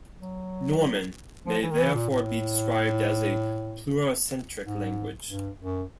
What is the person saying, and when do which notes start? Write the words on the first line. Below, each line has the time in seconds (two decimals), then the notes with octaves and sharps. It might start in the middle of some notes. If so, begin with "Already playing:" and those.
Norman may therefore be described as a pluricentric language.
0.20 F#3
1.46 F3
1.63 E3
1.71 D#3
1.79 E3
1.94 A#2
2.10 A2
4.65 G#2
5.28 G2
5.60 F#2